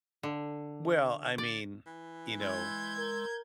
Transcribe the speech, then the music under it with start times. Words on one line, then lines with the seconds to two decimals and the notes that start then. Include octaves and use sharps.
Well, I mean, you know.
0.23 D3
1.38 D5
1.87 E3
2.40 G#3 C6 E6 G6 G#6
2.97 A#4